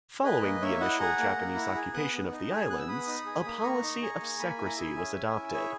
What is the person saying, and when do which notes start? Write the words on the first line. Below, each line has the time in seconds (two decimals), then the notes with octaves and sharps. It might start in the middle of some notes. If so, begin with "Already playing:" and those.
Following the initial Japanese occupation of the islands, a policy of secrecy was adopted.
0.24 G#4 B4 D#5
0.42 A#3
0.61 A#3 C#5 E5
0.80 E4 D#5 F#5
0.99 G#4 F#5 A#5
1.18 A#3
1.37 A#3
1.55 E4
1.75 G#4
1.94 B3 D#6 F#6
2.12 B3
2.31 D#4
2.50 G#4
2.70 B3 F#6
2.79 E6
2.88 B3 B5 D#6
3.07 D#4
3.26 G#4
3.45 A#3
3.63 A#3 A#5 C#6
3.83 D#4
4.02 G#4
4.20 A#3
4.39 A#3 G#5 B5
4.58 E4
4.66 A#5
4.77 G#4 E5 G#5
4.96 C#4
5.15 C#4
5.33 E4
5.52 G#4 C#5 E5